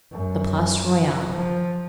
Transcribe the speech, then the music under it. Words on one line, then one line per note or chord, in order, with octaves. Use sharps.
The Place Royale.
F#2
F3